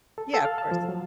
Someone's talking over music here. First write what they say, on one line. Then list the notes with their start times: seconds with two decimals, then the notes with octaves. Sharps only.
Yeah, of course.
0.18 A4
0.34 A4
0.45 F5
0.58 A5
0.71 F3
0.89 F#3